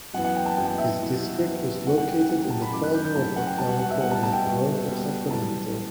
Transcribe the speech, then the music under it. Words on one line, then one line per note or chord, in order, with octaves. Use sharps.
His district was located in the far north of California, north of Sacramento.
F#2 E3 B3 F#5
F#5
G5
A5
F#2 E3 B3 G5
G5
E5
F#2 E3 B3
F#2 E3 B3
F#2 E3 A3 C#4 F#5
F#5
G5
F#5
F#2 E3 A3 C#4 F#5
G5
A5
B5
F#2 E3 A3 C#4 D6
F#6
G6
G6
F#2 E3 A3 C#4 A5
F#5
G5
B2 G3 B3 A5
F#5
F#5
E5
B2 G3 B3 F#5
A5
A5
G5
B2 G3 B3
B2 G3 B3
F#2 E3 G3 A5
E3